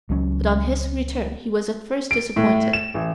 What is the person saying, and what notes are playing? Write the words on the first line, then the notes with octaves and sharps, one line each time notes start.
But on his return he was at first disappointed.
C#2 F#3 C#4
D7
A2
E7
A1